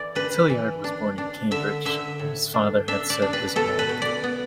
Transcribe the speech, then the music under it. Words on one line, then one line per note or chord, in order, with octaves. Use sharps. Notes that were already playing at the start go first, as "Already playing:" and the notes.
Tillyard was born in Cambridge, where his father had served as mayor.
Already playing: E3 D5
D4 B4
E3
D4
D4
D3 E5
D3 E5
A2
D4
D4 E5
D5
D4
B4
B2 A4
B4
B2
D5
B3